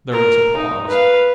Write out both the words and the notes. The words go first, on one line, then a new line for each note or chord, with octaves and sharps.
There was a pause.
A#4
D#4
B4 F5